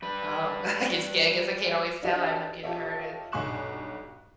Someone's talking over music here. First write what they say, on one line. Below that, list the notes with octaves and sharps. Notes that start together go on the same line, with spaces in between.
Oh, I guess I guess I can't always tell. I end up getting hurt and
G3 B4
D4 E4 F#4 G4 A4 D#5
F4 G4 A4 C#5 D#5 E5
B1 G2 G#5 C#6 F#6 E7